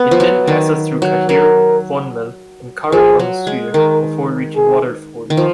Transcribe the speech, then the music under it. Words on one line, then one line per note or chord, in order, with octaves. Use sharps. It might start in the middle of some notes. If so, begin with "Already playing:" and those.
It then passes through Cahir, Clonmel and Carrick-on-Suir before reaching Waterford.
Already playing: B3
F3
F#3
D#3
F#3
F#3 A#4
F3 G#4
F#3
G#3
D#3 A#4
G#4
D#3
F3